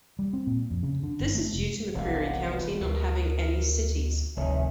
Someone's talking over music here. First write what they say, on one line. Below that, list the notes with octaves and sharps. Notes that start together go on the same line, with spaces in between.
This is due to McCreary County not having any cities.
G3
C4
A#2
F2
C#3
D3
G1
A3
F1
E1 B1 G#2 C3 F5 F#5
F4 B4
D2 B2 A#4
F1 D2 B2 D#3 C#5 E5 G#5